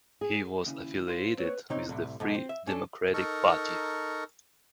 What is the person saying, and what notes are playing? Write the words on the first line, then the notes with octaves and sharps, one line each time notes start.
He was affiliated with the Free Democratic Party.
G#4
D#2 C#3 E4
F4 C5
A#3 C4 B4 C#5
C3 C4 D#4 C#5
C2 A2 C3
B1 G#2 E3
C4
E5
C#4 D4 A4
D#4 A4 A#4 C#6